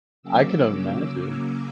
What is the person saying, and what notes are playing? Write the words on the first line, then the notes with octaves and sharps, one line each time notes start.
I can imagine.
C#3 F#3 A#3 C#4 D6 E6
D6 E6